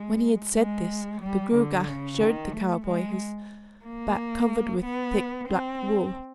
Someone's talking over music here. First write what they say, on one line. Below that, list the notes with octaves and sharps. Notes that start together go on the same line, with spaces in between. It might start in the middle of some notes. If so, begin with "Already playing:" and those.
When he had said this, the Gruagach showed the cowboy his back covered with thick black wool.
Already playing: G#3
G#3
G3
D3
C#3
D#3
A3
G#3
A#3
B3
C4